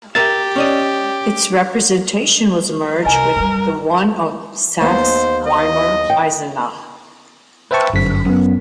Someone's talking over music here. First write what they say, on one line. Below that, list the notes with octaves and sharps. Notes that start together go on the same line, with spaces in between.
Its representation was merged with the one of Saxe-Weimar-Eisenach.
G4 A#4 E5 A6
C#4 D5 D#5
C2 A#4 D#5 G#5
F#2 G3
D#2 B3 D#4 C5
D#5
G5
B4 C5 E5 G5 A5 C#6
G1 F#2 B6
F#2 B3